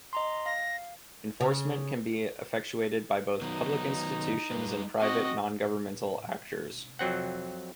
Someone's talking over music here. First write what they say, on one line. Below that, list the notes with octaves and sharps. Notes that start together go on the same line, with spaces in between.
Enforcement can be effectuated by both public institutions and private, non-governmental actors.
D#5 A#5 C6
F5 A#6
C#3
D#3 F#3 B3 D#4
G3 G#3 B4
C4 F#4 D#5 G#5
F2 F#3 C4 F#5